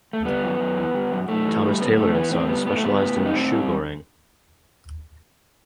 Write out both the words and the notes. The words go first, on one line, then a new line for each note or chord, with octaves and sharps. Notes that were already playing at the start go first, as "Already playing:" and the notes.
Thomas Taylor and Sons specialized in shoe goring.
A3
G3 B3
F#2
F#2
E3
G3
F#2
F#2 A3
E3
G3
A3
F#2 B3
B3
F#2 A3
E3 B3
A2 C4
G3 B3
A2 B3
A3
G3 B3
A2
G3
D#4
A2 C4
G3